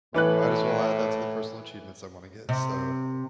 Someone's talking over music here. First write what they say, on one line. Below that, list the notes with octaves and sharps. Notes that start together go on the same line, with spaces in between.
m might as well add that to the personal achievements I wanna get, so
A2 E3 B4 F#6
C3